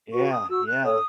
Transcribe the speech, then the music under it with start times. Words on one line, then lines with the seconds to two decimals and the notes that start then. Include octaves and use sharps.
Yeah, yeah,
0.12 F#4 B4 C#6
0.30 D#6
0.48 F#4 E6
0.65 F#6
0.83 A4 C#5 D#6